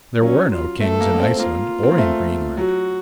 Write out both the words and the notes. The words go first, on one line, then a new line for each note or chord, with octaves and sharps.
There were no kings in Iceland or in Greenland.
F#3 C#4
F4
A3 A4
A#3
A#3
C4
A#3 F4
C4
A#3
A3
F#3 F#4